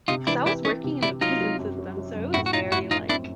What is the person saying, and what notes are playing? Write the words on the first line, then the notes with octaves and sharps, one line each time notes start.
'cause I was working in the prison system, so it was very, like,
C3 D#4 F4
E3 D4 E4
E3 D4 E4
E3 C#4 D#4
C3
C3 D4 E4
F#3 D#4 F4
F#3
F#2
F#3
F#3
F#2
A2 E4 F#4
F#4
F3 D#4 F4
A2 E4 F#4
F3 D#4 F4
C4 D4 E4